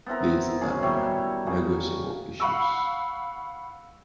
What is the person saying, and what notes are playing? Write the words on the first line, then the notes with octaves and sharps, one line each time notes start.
These are non-negotiable issues.
B3 C4 E4 A#4
F#2 G#4
G3 E4 C#5 G5
F#4 G#4 F5
F5 F#5 B5 C#6 E6